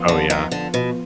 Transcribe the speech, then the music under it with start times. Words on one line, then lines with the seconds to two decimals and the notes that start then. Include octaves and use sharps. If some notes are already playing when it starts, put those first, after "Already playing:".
Oh, yeah.
Already playing: F3 B3 F4
0.08 D3
0.30 D#3
0.51 D3
0.74 B2